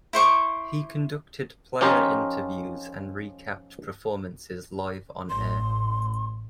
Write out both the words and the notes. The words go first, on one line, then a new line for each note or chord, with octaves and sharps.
He conducted player interviews and recapped performances live on-air.
E4 C5 C#6 D6
F3 C#4 D#4 G4 A#4 C5
A1 A2 C6